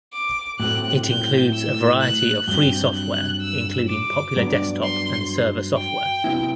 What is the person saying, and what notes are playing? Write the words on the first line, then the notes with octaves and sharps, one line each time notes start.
It includes a variety of free software, including popular desktop and server software.
D6
A2 F#3 A3 C4 F#6
G6
E6
F#6
G2 F#3 C4 G6
F#6
E6
D6
G2 F#3 B3 D4
C6
G5
C3 F#3 B3 E4